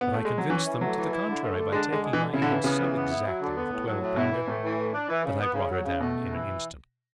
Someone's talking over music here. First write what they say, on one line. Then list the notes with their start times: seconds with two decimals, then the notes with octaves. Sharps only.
But I convinced them to the contrary by taking my aim so exactly with a twelve-pounder, that I brought her down in an instant.
0.01 B3
0.14 A3
0.25 G#3
0.38 F#3
0.50 E3 C#4
0.66 E3
0.80 F#3 A3
0.96 E3
1.11 E4
1.27 D3
1.42 A3
1.57 D3
1.72 G#3 D4
1.88 D3 G#3
2.03 G#3
2.13 E3
2.18 D3
2.33 C#3 E4
2.42 D3
2.48 C#3 E3
2.63 C#3 B3
2.79 E3
2.95 B3
3.10 E4
3.25 F#3
3.40 D3
3.56 B3
3.71 A2
3.86 F#3
4.01 A2
4.16 B2 E4
4.32 E3
4.47 A2 A3
4.63 E3
4.79 A3
4.93 D4
5.08 E3
5.24 C#3
5.39 B3
5.54 C#3
5.70 F#3
5.85 C#3
6.00 B2 A3
6.16 C#3
6.31 E3